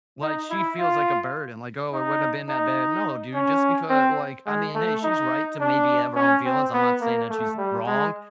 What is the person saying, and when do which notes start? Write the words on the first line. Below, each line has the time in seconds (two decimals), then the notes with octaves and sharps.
Like, she feels like a burden, like, "Oh, it wouldn't have been that bad." No, dude, just because like I mean hey, she's right to maybe have her own feelings, I'm not saying that she's wrong
0.22 D#4
0.50 E4
0.80 F4
1.93 D#4
2.49 D#4
3.34 C#4
3.90 C4
4.46 G#3
4.75 A3
5.04 D#4
5.61 D4
6.16 C#4
6.45 C4
6.74 B3
7.01 A#3
7.30 A3
7.58 G3
7.86 G#3